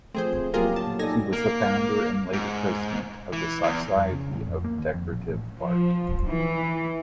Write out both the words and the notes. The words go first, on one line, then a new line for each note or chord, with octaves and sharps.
She was a founder and later President, of the Society of Decorative Art.
F3 A3 C4 G#4 C5
F#3 A#3 F4 G4 G#4 A#4
G1 A5
A#2
D#4 A4 D5 G#5 A#6
A#3
G#2
E3
E2
F2
C#3
A1
F2
A#3
D#2
F2
A#1
A1
F3
E3